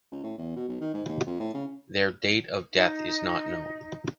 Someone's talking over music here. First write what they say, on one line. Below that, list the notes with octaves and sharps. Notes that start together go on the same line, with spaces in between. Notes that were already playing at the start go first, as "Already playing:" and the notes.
Their date of death is not known.
C#2
A2
E2
B2
B1
D#3
G#2
D#2
F2
A2
C#3
D#4